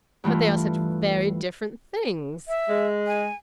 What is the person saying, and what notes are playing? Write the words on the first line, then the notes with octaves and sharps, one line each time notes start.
"But they are such very different things!"
G2 E3 A3 F4
E5
G#3
G#5